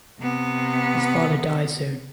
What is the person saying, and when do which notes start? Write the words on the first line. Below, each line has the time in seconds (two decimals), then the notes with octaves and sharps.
His father dies soon.
0.20 C3 B3